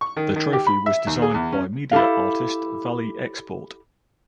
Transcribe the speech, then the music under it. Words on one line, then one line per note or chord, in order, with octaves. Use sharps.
The trophy was designed by media artist Valie Export.
C#6
D#3
D#3
G4
B5
E5
D#2
G#4
E2
C#4
E4 G4 A4 F5